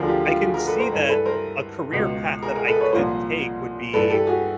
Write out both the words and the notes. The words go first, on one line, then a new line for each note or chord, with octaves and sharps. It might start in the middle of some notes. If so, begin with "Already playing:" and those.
I can see that a career path that I could take would be,
Already playing: D2 D3 F3 G#4 A#4
F4 G4
F4 G4
F#4 G#4
G#4 A#4
A4 B4
A#4 C5
G2 E3 A4 B4
A4 B4
A#4 C5
C#2 B2
G#4 A#4
G#4 A#4
A4 B4
B4 C#5
C2 A#2 F3 A#4 C5
G2 E3 A4 B4
G4 A4
F#4 G#4